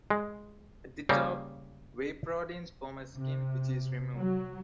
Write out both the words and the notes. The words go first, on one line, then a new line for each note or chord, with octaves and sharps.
At the top, whey proteins form a skin, which is removed.
G#3
C#3 G3 A#3
C3
F#3